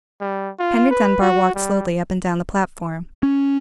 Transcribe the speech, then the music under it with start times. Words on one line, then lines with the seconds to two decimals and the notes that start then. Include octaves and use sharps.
Henry Dunbar walked slowly up and down the platform.
0.21 G3
0.59 F4
0.91 B4
1.21 F#4
1.55 G3
3.23 C#4